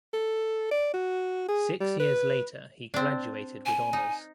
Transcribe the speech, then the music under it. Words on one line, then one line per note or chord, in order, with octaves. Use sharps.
Six years later he graduated with honors.
A4
D5
F#4
G#4
G3
B4
C4 D4
G#5
D#4